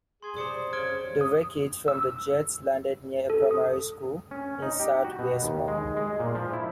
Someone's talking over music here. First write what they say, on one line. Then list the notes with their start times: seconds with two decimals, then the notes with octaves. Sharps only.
The wreckage from the jets landed near a primary school in South Wiesmoor.
0.23 G#4 C6 G#6
0.36 C3 C5 D5 D#6 C#7
0.73 C#3 F6 G#6 D7 G7
1.21 D#6
1.88 E6
3.30 A4
3.51 D#6
4.31 C#4
4.62 D#4
4.80 G4
5.04 F#4
5.19 B2
5.43 D#2
5.68 G#3
5.97 G#3
6.20 A#2
6.35 F3
6.53 E4